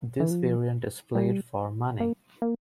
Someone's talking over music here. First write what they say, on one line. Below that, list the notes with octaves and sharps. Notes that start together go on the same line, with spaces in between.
This variant is played for money.
E3
F3
G3
A#3
A#3